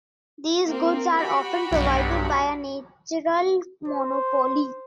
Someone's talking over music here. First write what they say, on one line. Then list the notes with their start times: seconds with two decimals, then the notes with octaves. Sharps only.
These goods are often provided by a natural monopoly.
0.65 A#3 C4
1.17 F#4 G4 B5
1.71 B1 G2
3.88 C5